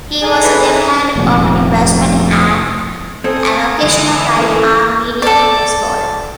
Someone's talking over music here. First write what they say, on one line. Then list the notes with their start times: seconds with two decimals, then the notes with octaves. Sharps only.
He was a left-handed opening batsman and an occasional right-arm medium-pace bowler.
0.23 D#4 G#4 A4
0.44 E3
1.16 F1 A#2
3.24 C4 A4 G#5 D#6
3.82 D3 E3 G#3
4.36 G#3 A#3 C#4 A4
5.22 A4 D5